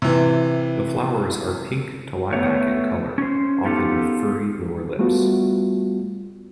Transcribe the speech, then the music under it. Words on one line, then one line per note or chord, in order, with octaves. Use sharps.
The flowers are pink to lilac in colour often with furry lower lips.
C3 E3
A3 B3 C#5
C#4 C5
B3 D#4 F4 G4 A4
G3 A3 B3 F4 F#4